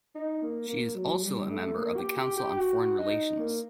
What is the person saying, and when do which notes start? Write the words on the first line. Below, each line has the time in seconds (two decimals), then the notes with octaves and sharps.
She is also a member of the Council on Foreign Relations.
0.15 D#4
0.42 A#3
0.68 A#3
0.95 F#3
1.23 G3
1.50 A3
1.76 A#3
1.97 G4
2.17 G4
2.37 G4
2.57 F#4
2.98 D#4
3.39 A#3